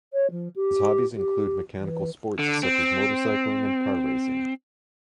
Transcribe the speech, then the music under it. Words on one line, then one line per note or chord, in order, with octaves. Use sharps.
His hobbies include mechanical sports, such as motorcycling and car racing.
C#5
F3
G4
G4
E3
D3
C4